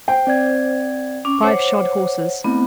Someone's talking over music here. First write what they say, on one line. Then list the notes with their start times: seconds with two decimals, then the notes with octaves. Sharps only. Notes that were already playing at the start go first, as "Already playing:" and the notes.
Five shod horses.
0.08 C5 G5
0.27 C4 D5 G#6
1.25 C#4 D6
1.43 C5 C#5 F#5
2.44 A3 B3 C4 E4